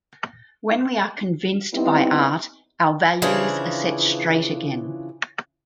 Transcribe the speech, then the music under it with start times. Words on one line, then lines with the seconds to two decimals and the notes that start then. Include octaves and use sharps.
When we are convinced by Art our values are set straight again.
1.74 G3 B3 C4 D#4 E4
3.22 C#3 E3 F3 D4 G#4